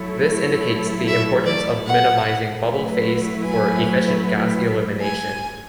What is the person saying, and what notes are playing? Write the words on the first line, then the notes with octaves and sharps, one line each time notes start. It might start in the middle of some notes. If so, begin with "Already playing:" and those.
This indicates the importance of minimizing bubble phase for efficient gas elimination.
Already playing: F#3 A3 E4 A4 C#5
E5
D5
F#5
F#3 A3 E4 B4
G#5
G#5